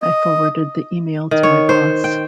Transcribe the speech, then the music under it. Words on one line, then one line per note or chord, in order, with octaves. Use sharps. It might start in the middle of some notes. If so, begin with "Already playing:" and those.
I forwarded the email to my boss.
D#5
D#3
C#5
C5
G5